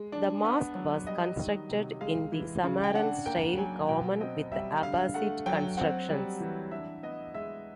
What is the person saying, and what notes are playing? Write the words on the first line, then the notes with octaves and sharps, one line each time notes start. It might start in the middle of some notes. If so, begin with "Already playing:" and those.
The mosque was constructed in the Samarran style common with Abbasid constructions.
Already playing: G#3
D4
B3
F#3
G3 D#5
D#3
C3
G#3 F5
E3
C#3
G5
D4 F#5
A#3 G5
F#3 G#5
B2 G5
C4 D#5
G3 E5
D3 F5
A3 F#5
F#3 G5
C4 F#5
G3
E3
D4 E5
B3 D#5
G#3 E5